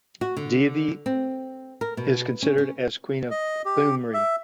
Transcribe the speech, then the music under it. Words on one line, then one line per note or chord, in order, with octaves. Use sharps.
Devi is considered as "Queen of Thumri".
F#4
D3
C4
A#4
B2
C#4
C#4
D#5
G4
E5